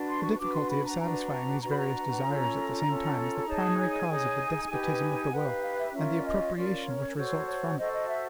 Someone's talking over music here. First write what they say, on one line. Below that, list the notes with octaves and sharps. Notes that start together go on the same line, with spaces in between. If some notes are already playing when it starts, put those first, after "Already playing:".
The difficulty of satisfying these various desires at the same time is the primary cause of the despotism of the will, and the appropriation which results from it.
Already playing: D4 F#4 B4
C6
C#6
D4 F#4 B4 D6
C6
B5
A#5
D4 F#4 B4 A#5
A#5
D4 F#4 B4 A#5
B5
A#5
C#4 F4 A4
C#4 F4 A4
D#4 G#4 C#5 A5
G#5
D#4 G#4 C#5
D#4 G4 B4
D#4 G4 B4 F#5
F5
F5
E5
C#4 F4 A#4 E5
D5
D#5
C#4 F4 A#4 D5
C#5
F#4 A4 C5 C#5
C#5
F#4 A4 C5 D#5
D#5
E5